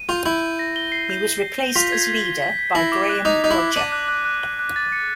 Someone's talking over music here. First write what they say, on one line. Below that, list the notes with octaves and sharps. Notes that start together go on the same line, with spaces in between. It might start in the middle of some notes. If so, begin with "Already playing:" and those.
He was replaced as leader by Graeme Rodger.
Already playing: D#7
F4 G6
E4 G6
G6
A#6
G7
C7
G6
G7
C7
G7
F4 B6
G#6
B6
G7
B6
B6
E4 A#6
D6
F#6
D#4 D6
D#4 D6
E4
D6
D4 D#7
F#6
F#6
F#6
F#6
F#6
A6
C#7